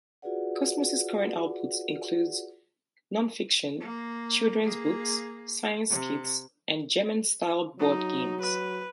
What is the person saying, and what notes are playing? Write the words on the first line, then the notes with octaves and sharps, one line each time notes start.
Kosmos's current output includes non-fiction, children's books, science kits and German-style board games.
F4 F#4 G#4 B4 D5 F#5
A#3
A#3 G#4
C3
F#3 D#4
B4